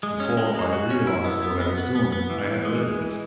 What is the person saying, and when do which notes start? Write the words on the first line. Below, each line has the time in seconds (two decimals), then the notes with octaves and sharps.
Before I realized what I was doing, I had read it.
0.03 G#3
0.20 C#4
0.37 G#3
0.55 G#3
0.73 F#4
0.90 C#4
1.07 E4
1.24 B3
1.43 B3
1.60 B3
1.78 B3
1.95 B3
2.12 B3
2.30 E3
2.47 E3
2.65 G#3
2.82 G#3
3.00 E3